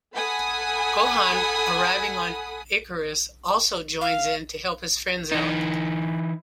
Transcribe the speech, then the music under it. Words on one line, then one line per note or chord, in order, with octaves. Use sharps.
Gohan, arriving on Icarus, also joins in to help his friends out.
A4 F#5 G#5 B5 D#6
F5
E3 D#4